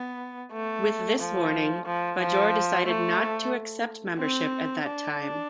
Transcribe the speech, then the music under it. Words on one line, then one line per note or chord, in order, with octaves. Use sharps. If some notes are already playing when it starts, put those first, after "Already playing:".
With this warning, Bajor decided not to accept membership at that time.
Already playing: B3
A3
F3
F3
F3
A3
C4
D4